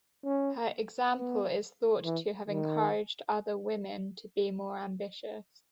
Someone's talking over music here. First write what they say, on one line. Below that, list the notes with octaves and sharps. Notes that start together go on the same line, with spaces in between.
Her example is thought to have encouraged other women to be more ambitious.
C#4
B3
E3
D#3